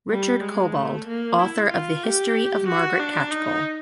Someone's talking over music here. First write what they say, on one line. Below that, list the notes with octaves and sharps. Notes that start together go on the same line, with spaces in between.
Richard Cobbold, author of the "History of Margaret Catchpole".
G3
G#3
A3
A#3
E4
F4
G4
F#4
D4
D#4